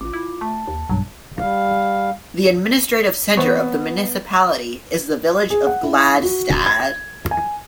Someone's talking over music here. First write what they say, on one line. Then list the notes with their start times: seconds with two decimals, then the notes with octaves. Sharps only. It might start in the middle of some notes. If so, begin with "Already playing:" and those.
The administrative centre of the municipality is the village of Gladstad.
0.01 A1 F4 D6
0.13 E4
0.41 A3 A5
0.67 D#2
0.90 B1 G2 F#3
1.38 G3 F5
3.37 E3 B3 C4 C#5
5.50 G#4
5.67 F#5
5.83 E4
6.23 F#4
6.66 G#6
6.80 G#6
7.31 G#5